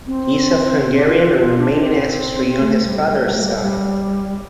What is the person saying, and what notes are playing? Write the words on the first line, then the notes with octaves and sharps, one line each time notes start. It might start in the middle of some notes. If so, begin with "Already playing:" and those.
He is of Hungarian and Romanian ancestry on his father's side.
C4
D4
F4
F4
D4
D4
C4
A3
G3
G3
A3
G3
A3
G3
G3